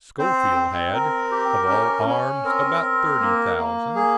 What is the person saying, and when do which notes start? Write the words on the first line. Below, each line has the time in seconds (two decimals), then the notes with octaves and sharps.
Schofield had, of all arms, about thirty thousand.
0.19 C4 C5
0.56 C4
0.93 C4 A#4
1.31 G4
1.69 C#4
2.06 C#4
2.44 C4 A#4
2.81 C4
3.19 A#3
3.57 A#3
3.95 G#4